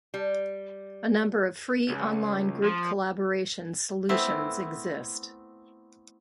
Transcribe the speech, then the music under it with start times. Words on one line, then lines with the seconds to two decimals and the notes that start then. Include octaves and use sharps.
A number of free online group collaborations solutions exist.
0.14 G3
1.89 C#2
2.64 F3
4.09 A3 B3 C4 E4